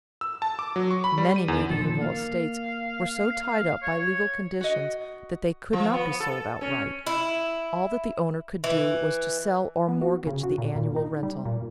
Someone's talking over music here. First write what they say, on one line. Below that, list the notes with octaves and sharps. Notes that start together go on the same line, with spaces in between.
Many medieval estates were so tied up by legal conditions that they could not be sold outright; all that the owner could do was to sell or mortgage the annual rental.
E6
A5
D6
F#3
C#6
B5
G3
D#7
E2
A#2 D#3 F3 A4
A#3 F5
C#5
F#4 D#5
F3
B3
A4
C#4
E4
E3
B3
F#4
C#3
F#4
A#2
A#2
D#4
G3
A#2